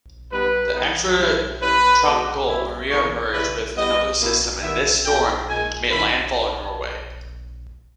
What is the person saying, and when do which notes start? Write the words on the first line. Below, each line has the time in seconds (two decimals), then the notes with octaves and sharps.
The extratropical Maria merged with another system and this storm made landfall in Norway.
0.31 G3 B3 D#4 B4
0.75 E3 G3 B3 D#4
1.17 G3 C#4 E4
1.60 G3 C#4 E4 B4
2.03 B2 G#3 B3 D#4
2.46 B2 G3 C#4 E4
2.89 E3 A#3 D#4 C#5
3.32 C#3 G3 C#4 E4 B4
3.75 G3 B3 E4 D#5
4.18 A#2 A#3 C#4 E4
4.61 D#3 G3 B3 E5
5.04 B2 A#3 C#4 G5
5.47 A#2 G#3 D#4 G#5
5.90 D#3 A#3 C#4 E4 B5